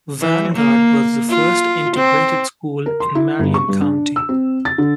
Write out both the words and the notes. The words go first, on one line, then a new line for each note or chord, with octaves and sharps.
Vanguard was the first integrated school in Marion County.
E3
A#3
F4
C4
A#4
C6
E4
G1
C#6
G2
D4
E6
C4
A6
D3